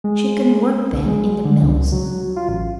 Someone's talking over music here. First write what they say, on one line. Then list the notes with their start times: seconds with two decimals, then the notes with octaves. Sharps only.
"She can work then--in the mills."
0.04 G#3
0.93 B1
1.06 G#3
1.45 D3
1.63 C#2
1.92 F#3
2.36 F4
2.49 A1